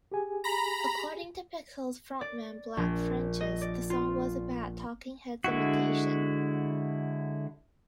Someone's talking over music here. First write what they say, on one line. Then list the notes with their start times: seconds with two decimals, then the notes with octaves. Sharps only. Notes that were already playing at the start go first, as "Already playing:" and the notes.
According to Pixies frontman Black Francis, the song was a bad Talking Heads imitation.
0.12 G4 G#4 G#5
0.44 A#5 B5
2.21 D5
2.77 A#1
3.40 D#5
3.62 D5
3.90 F4
5.44 D3 G#3 E4 F#4